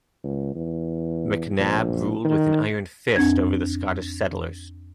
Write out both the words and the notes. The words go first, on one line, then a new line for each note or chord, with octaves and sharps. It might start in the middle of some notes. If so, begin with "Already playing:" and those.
McNab ruled with an iron fist over the Scottish settlers.
C#2
E2
A#1
D#3
F2 C4 D4 G#6